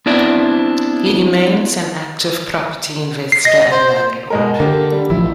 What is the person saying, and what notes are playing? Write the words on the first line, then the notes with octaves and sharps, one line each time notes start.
He remains an active property investor and landlord.
B3 C4 D4 E4 D5
C7
D#5 A#6
C5
B2 G#3 A#4
D3 A#3 G4
G3
A1 F3 E4